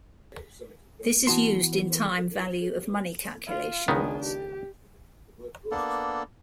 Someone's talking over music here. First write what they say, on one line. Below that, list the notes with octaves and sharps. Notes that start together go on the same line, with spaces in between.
This is used in time value of money calculations.
E3 B3 F#4 A5 C6
F4
C#2 D#3 B3 D4 G#4
G4
A#3 B3 D4 A4